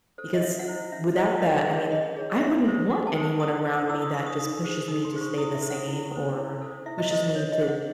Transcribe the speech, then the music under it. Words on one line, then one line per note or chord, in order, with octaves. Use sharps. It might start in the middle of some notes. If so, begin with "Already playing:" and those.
because without that, I mean, I wouldn't want anyone around me that just pushes me to stay the same or pushes me to
A4 C5
D#5
C#4 E5
F#5
E4 C5
C#4 E5
E4 C5 D#5
C#4 D#5
G#4 C#5
C#4 D#5
G#4 C#5
F#4 E5
A4 C5
F#4 F#5
A5
A4 C5
E4 D#6
C5
E4 E6
D#6
C5 C#6
D#6
D#4 D#6
G#4 C5
D#4 D#6
C6
G#4 C5
C#6
E4 D#6
E5
A4 C5
F#5
E4
A4 C5
E4
A4 C5
E4 E5
D#5
A4 C5 D#5
D#5
C#4 C#5
D#5
G#4 C5
F#5